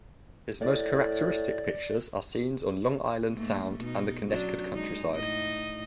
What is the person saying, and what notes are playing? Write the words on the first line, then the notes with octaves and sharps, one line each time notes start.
His most characteristic pictures are scenes on Long Island Sound and the Connecticut countryside.
A2 D5
G#2 A3 A#3
B2 D#4
F#3 C#4 D4
G#3 D#4
A2 D#4 D#5